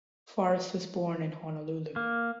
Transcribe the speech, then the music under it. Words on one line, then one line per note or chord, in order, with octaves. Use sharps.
Forest was born in Honolulu.
A#3